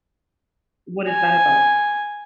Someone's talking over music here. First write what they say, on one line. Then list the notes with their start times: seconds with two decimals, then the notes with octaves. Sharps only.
What is that about?
1.09 G#5